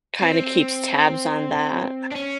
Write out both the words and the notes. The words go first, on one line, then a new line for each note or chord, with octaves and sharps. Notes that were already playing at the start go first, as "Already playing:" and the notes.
kinda keeps tabs on that.
C4
D4
C#4